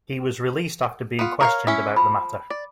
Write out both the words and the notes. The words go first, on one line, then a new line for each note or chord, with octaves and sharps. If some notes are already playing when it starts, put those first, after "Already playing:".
He was released after being questioned about the matter.
B3 F4
A#4 C#5 F5
C#4 E4
F3 B5
D5